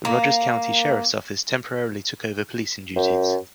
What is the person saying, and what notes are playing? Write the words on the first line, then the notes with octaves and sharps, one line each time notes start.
The Rogers County Sheriff's Office temporarily took over policing duties.
A#3
F#2